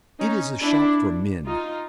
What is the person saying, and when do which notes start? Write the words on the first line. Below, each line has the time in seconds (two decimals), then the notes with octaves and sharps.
It is a shop for men.
0.20 C#4 D#4
0.62 D4 E4
1.46 D#4 F4